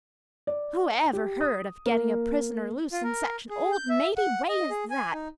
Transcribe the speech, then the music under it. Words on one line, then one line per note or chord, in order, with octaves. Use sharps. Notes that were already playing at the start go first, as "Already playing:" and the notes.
Who ever heard of getting a prisoner loose in such an old-maidy way as that?
D5
G4
D#6
A#3
F4
A#4
G#4
G6
E5
F#5
D#5
G#4
G#5
D#4